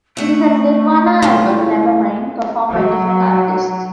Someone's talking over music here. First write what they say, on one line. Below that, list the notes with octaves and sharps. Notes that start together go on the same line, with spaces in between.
It is the Nirvana album "Nevermind", performed by different artists.
A3 E5 F#5
E2 C#3 E3 F4
F#3